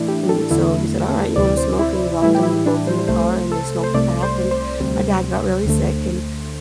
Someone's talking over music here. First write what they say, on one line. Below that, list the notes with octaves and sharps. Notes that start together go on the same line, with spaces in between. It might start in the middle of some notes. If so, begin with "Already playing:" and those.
and so he said, "Alright, you wanna smoke?" and he locked them both in the car and they smoked a pack and my dad got really sick, and
Already playing: A2 E3 A3 D4 E4
G4
A4
E2 D3 A3 E4
A4
D2 C3 E3 D5
C5
E4
A2 E3 G3 E4
G4
E4
D4
C5
C2 C3 A3 C5
A4
C5
C2 C3 A3 D5
C5
C5
D2 C3 G3
D2 D3 A3